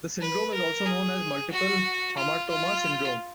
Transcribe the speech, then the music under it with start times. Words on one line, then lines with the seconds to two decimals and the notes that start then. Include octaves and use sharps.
The syndrome is also known as Multiple hamartoma syndrome.
0.21 B4
0.54 A#4
0.86 G#4
1.51 F#4
2.16 F4
2.49 F4